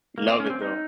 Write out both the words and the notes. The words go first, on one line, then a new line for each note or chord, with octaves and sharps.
Love it, though.
A#3
C4
C#4
A#3
C4
D#4